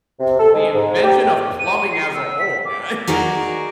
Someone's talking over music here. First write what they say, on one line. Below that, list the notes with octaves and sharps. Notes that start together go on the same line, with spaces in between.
Pl the invention of plumbing as a whole, guys.
C3
A4
G#3
G#2
G4
D#7
C7
E6
B6
D6
D#4 F#4 G#4 A#4 D5